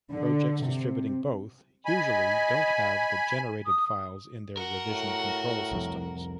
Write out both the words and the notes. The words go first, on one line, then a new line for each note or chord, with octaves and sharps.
Projects distributing both usually don't have the generated files in their revision control systems.
D3
C3
D#5 G#5 B5
D#6
F#4 A#4 F#5
A2
C2 F2